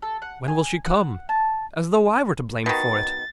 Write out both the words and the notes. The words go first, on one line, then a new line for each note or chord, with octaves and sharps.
When will she come?'--as though I were to blame for it.
A4
F#5
G#5
F#5
A5
B2 D#3 A6